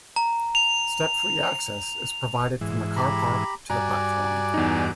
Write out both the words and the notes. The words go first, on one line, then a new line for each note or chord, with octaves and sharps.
Step-free access is provided from the car park to the platform.
A#5
F7
G#2 E3
G4 A#5 B5
G2 F#4 D5 G#5 A#5 D6
E2 D#4